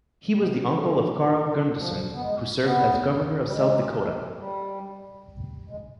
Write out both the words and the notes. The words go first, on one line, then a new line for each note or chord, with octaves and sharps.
He was the uncle of Carl Gunderson who served as Governor of South Dakota.
B2
C3
D3
F3
B3
G#3
B3
G3
G#3
G3
G#3